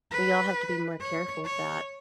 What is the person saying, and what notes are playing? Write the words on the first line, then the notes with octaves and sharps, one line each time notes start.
We all have to be more careful of that.
B4
C#5
C#5